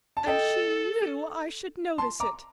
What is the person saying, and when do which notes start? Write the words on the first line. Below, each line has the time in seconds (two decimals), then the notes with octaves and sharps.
And she knew I should notice it.
0.17 A5
0.27 A4 D#5 G5
1.98 A5 C6
2.20 A#5 D6